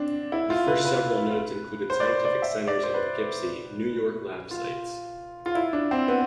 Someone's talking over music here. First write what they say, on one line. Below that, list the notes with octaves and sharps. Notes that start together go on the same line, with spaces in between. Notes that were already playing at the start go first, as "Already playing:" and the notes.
The first several nodes included Scientific Centers and Poughkeepsie, New York lab sites.
Already playing: C4 D4
E4
F4
B4
B4
C5
D5
C5
D5
E5
D5
C5
B4
F4
F4
E4
D4
C4
B3